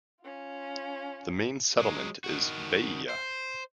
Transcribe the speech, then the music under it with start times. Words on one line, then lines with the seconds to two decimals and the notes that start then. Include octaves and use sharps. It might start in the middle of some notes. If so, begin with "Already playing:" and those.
The main settlement is Vaiea.
0.21 C#4 F4
1.78 F#3 G#3
2.24 D#3 F#4
3.09 C5